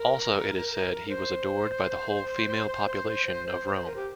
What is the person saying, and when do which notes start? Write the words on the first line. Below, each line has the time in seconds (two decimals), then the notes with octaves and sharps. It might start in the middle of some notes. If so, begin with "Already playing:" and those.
Also, it is said he was adored by the whole female population of Rome.
Already playing: A#4
1.09 C5
3.75 C5
3.86 A#4
3.96 G4